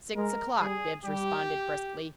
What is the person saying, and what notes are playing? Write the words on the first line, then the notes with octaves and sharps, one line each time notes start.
"Six o'clock," Bibbs responded, briskly.
G#3 A#4
G3 G#4
G3 G4